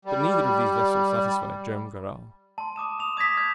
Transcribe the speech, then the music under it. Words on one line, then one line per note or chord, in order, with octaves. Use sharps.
But neither of these vessels satisfied Joam Garral.
G3
A5 C6
A5 D6 D#6 E7
D#6 F7
D#6 G#6 A#6 B6
F6 G6 G#6